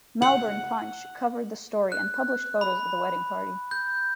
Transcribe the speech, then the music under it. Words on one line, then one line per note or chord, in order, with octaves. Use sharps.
Melbourne Punch covered the story and published photos of the wedding party.
F#5
F#6
B5
G6